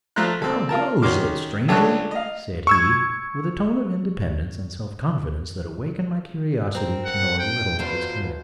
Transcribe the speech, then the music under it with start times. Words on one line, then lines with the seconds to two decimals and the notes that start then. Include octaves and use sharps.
"How goes it, stranger?" said he, with a tone of independence and self-confidence that awakened my curiosity to know a little of his character.
0.16 F3 A3 A#5 C6 F#6
0.42 C4 A4
0.69 F4 A#4 A5
1.02 D#3 C#4 F#4 C6 D6 F6
1.68 C#2 D4 A4 C#5 A5 F#6
2.11 D#5 F5
2.67 C#6 E6 G#6
6.75 C4 A#4
7.05 F#5
7.39 G5
7.79 E2 B2 F4 C5